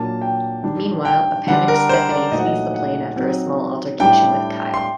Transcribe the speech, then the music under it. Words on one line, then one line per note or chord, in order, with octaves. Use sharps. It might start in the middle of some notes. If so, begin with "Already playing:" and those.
Meanwhile, a panicked Stephanie flees the plane after a small altercation with Kyle.
Already playing: A#2 F#3 A#3 D4 A5
G5
D#3 G3 D4
G5
D3 G3 D4 F#5
A#4
C5
D5
A#2 F#3 A3 D#4 D#5
F#5
D#5
F#5
F#3 C4 D#4
A2 G3 D4 G5
C6